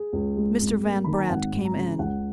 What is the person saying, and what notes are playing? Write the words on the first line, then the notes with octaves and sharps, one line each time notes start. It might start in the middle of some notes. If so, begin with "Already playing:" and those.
Mr. Van Brandt came in.
Already playing: G#4
C#2
G#3
G#1
A#3
D#3 B5
A#5
G#5
G#1 F#5
G#1
A#5
C#3
C#2 F#5